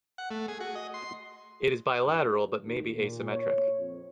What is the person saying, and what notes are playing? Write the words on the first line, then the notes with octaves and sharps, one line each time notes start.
It is bilateral, but may be asymmetric.
F#5
A3
G#4
F#4
D#5
C6
G2
D#2
A#2
C#5
F2